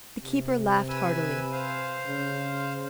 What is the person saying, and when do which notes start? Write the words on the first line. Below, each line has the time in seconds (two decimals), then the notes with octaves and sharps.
The keeper laughed heartily.
0.22 C3
0.89 B4 G#5 E6
1.52 C5 F5
2.06 C#3